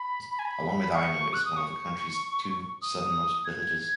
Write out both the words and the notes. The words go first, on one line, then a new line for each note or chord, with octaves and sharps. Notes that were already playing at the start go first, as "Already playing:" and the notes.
Along with Aynho it is one of the county's two southernmost villages.
Already playing: B5
B5
G#5
B5
C#6
F#6
D#6
C#6
D#6
G#6